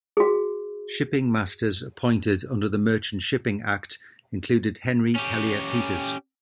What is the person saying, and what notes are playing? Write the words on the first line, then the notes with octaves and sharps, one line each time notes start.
Shipping Masters appointed under the Merchant Shipping Act included Henry Hellier Peters.
F#4 G#4
C#4 G4